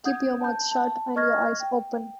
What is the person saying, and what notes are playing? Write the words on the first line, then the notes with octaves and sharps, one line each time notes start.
Keep your mouth shut and your eyes open.
F#5 D#6 G6 G#6
A5 G6
A5
D#5 C#6 F6 G#6 A#6
G5